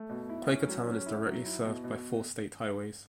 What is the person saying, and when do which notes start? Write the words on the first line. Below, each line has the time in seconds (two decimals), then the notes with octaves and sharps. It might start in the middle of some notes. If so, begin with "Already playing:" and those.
Quakertown is directly served by four state highways.
Already playing: A3
0.09 B2
0.29 E4
0.48 C#4
0.67 F#3
0.87 C#4
1.06 E4
1.26 F#3
1.45 E4
1.65 B2
1.84 B2